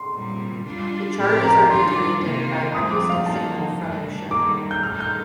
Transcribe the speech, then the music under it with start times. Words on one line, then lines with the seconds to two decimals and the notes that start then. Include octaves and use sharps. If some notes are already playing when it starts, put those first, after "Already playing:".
The charges are detonated by acoustic signal from the ship.
Already playing: C6
0.14 A#2 G3 C4
0.65 G3 D4 F4
1.17 A2 F3 C4 G4 A#4
1.44 A#5
1.70 G2 D#3 G3 D4 F4 C6
1.96 D6
2.22 C3 D#3 A#3 F4
2.74 G2 F3 A3 C4 D#6
2.91 D6
3.09 F5
3.26 G2 F3 A#3 D#4 A5
3.79 G2 D#3 A3 D4
4.30 D#3 G3 A#3 D#4 D6
4.71 G6
4.83 G2 D#3 A3 D#4 A4 F6
5.00 G6